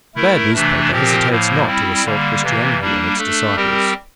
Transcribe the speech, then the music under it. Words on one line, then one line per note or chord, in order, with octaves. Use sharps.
The bad newspaper hesitates not to assault Christianity and its disciples.
A3 E4 A#4
C3 E3 A3 D4
A#2 F3 C4 G4 A#4
A2 F3 A#3
G3 C4 E4
D3 G3 A#3
C3 E3 A#3
G3 A#3 D4
A3 D4 A4
G3 C4 G4 A#4